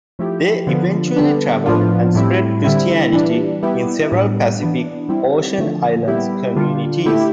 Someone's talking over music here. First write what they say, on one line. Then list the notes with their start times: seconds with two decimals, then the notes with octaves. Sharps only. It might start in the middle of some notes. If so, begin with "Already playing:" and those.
They eventually traveled and spread Christianity in several Pacific Ocean island communities.
0.19 F3 A3 E4 G4
0.67 D3 F3 B3
1.16 D3 G3 B3 D4
1.66 A2 F3 B3 D4 F4
2.15 A2 G3 C4 E4
2.64 D3 G3 C4 E4
3.13 E3 G3 D4
3.63 G3 B3 E4 G4
4.11 A2 G3 B3 D4
4.60 E3 B3 D4
5.09 G3 C4 E4
5.58 D3 F3 A3
6.08 G3 B3 E4 G4
6.56 D3 G3 D4 F4
7.05 D3 A3 E4 G4